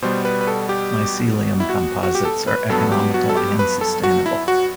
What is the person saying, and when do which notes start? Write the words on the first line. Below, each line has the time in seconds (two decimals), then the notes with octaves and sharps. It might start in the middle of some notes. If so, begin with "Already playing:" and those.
Mycelium composites are economical and sustainable.
0.02 B2 G3 B3 C5
0.25 B4
0.41 B4
0.47 A4
0.69 G4
1.60 E4
1.70 F#4
2.03 F#4
2.15 G4
2.25 A4
2.47 B4
2.70 G2 F#3 B3 A4
2.92 G4
3.14 F#4
3.29 A4
3.37 G4
3.59 B4
3.81 A4
4.03 F#4
4.26 E4
4.48 F#4